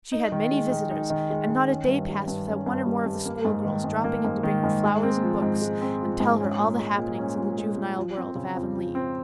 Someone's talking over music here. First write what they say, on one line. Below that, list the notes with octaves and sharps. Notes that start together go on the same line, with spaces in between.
She had many visitors and not a day passed without one or more of the schoolgirls dropping in to bring her flowers and books and tell her all the happenings in the juvenile world of Avonlea.
D#4
D#3
G#3
D#3
D#4
D#3
G#3
D#3
C#4
G2
G3
G2
C#4
G2
G3
G2
A#3
G#2
D#3
G#2
A#3
G#2
D#3
G#2
G#3
C4
F3
G#2
G#3
C4
F3
G#2
C#4
A#2
G#3
A#2
C#4
A#2
G#3
A#2
F3
C4
C#3
F2
F3
C4